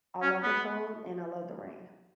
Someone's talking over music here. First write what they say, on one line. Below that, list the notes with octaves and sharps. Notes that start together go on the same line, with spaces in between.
I love the cold, and I love the rain.
C#4
B3